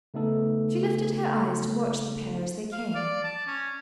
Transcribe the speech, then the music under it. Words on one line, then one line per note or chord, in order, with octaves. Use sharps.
She lifted her eyes to watch the pair as they came.
C#3 A3 B3 D#4 A4
F5
D5
A5
C#4